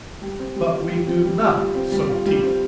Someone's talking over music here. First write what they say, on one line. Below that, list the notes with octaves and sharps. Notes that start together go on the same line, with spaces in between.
But we do not so teach.
G3
C4
G3
F4
G3
C4
G3
F4
G3
C4
G3
F4
G3
C4